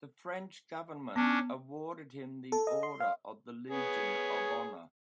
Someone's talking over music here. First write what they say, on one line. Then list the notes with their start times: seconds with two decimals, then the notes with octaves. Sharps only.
The French government awarded him the Order of the Legion of Honor.
1.16 B3 C#4 D4
2.52 A4
2.67 D#5
2.83 C6
3.00 F5
3.70 B3 G#4 C#5